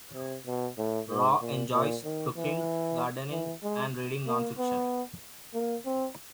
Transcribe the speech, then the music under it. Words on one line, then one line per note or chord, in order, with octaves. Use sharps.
Rau enjoys cooking, gardening and reading non-fiction.
C3
B2
A2
G#2
A#2
A#2
D#3
E3
E3
G#3
A#3
B3
A#3
C4